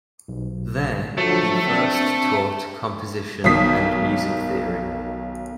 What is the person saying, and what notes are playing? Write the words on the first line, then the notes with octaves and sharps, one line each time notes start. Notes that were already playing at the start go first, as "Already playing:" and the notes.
There, he first taught composition and music theory.
B1
D3 F3 F#3 A3
C4 D4 E5
B1 D#3 D#6 B6